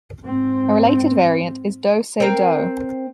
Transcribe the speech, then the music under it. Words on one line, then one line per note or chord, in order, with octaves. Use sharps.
A related variant is "do-se-do".
G#2 C4
C4 A#4